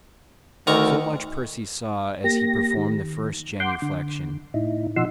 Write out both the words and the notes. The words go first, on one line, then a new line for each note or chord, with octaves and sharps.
So much Percy saw as he performed the first genuflection.
D2 D#3 A#5 C#6
A#3 G4 A#6
D#3
F#5 C6 D6 G6
D3
A2 D#4 E4
B2 F3 D#4 F#5 C6 E6